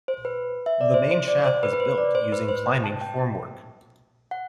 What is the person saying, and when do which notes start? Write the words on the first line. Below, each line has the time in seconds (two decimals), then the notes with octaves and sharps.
The main shaft was built using climbing formwork.
0.08 C5
0.25 B4
0.66 E5
0.81 D5
0.94 C5
1.11 C5
1.28 D5
1.46 C5
1.63 B4
1.73 B4
1.80 C5
1.98 D5
2.15 C5
2.32 B4
2.49 C5
2.66 G5
2.84 A5
3.01 G5
4.31 F#5